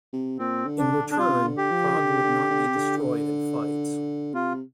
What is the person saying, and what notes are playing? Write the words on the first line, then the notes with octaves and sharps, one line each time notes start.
In return, Prague would not be destroyed in fights.
C3
A#2 C4
D3
D4
D3
D4
C3 F4
D3
G4
F3
D3
D3
D3
C3
D3
C3 F4